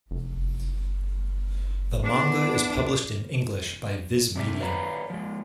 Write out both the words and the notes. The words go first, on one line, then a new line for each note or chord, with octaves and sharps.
The manga is published in English by Viz Media.
F1
E3 B3 D4 G#4
C3 D5 E5
B4 C#5 D5 F5 A#5 B5
F3 G#3